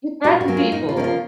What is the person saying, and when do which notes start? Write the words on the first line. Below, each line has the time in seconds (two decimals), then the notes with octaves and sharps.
to threaten people?
0.24 A#2 F#4
0.41 F#4
0.48 F#3 A#3 C#4
0.57 F4
0.72 A#2 D#4
0.89 F4
0.96 F3 A#3 C#4 D#4
1.04 F4